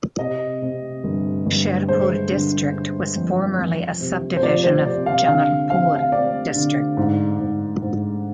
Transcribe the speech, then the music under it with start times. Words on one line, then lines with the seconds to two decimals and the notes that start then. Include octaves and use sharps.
Sherpur district was formerly a sub-division of Jamalpur district.
0.19 C3 D#5
0.62 C3
1.04 G1
1.46 G1
1.88 G#3 C5
2.31 D3
2.73 D3
3.16 F2
3.58 F2
4.01 C3
4.37 C5
4.43 F3 D5
4.64 C5
4.85 C3 D5
5.06 F5
5.27 D3 F5
5.69 C4 F5
5.96 F5
6.12 C4 D5
6.55 D3
6.97 G#2
7.39 G#2
7.82 G#2